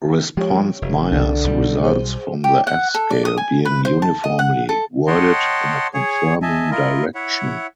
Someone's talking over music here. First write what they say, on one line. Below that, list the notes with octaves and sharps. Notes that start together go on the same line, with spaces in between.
Response bias results from the F scale being uniformly worded in a confirming direction.
F3 G#3 G4 C#5
F1
C2 D3 D4
B1 B2 G3
G#4 C5
G4
F#5
A4
D5
D#6
G#5
B4
C5
A5
D#5
F#5
A4
C#5 D#5 F#5 G5 A5 C6
G#4 C#5
D#5 E5 G#5 A5
E4 F4 A#4 D#5
E4 C#5 E5 F#5